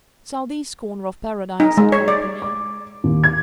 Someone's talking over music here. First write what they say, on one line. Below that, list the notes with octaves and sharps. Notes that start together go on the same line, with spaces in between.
"Southeast corner of Paradise," said Campany.
D#4
G#3
C#5
D5
D6
D#2
G#6